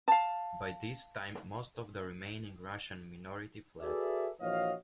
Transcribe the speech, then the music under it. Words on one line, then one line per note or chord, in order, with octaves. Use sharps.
By this time most of the remaining Russian minority fled.
F5 A5
F#4 G#4 A4 B4 D5 E5
A#1 E3 F#4 C#5 D#5 F5